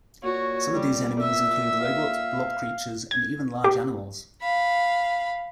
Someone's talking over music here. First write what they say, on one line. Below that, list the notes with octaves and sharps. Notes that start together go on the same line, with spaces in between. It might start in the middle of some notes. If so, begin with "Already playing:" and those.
Some of these enemies include robots, blob creatures, and even large animals.
A#2 F#4 C#5
G3
E5 E6
F5
G#6
G4
F5 B5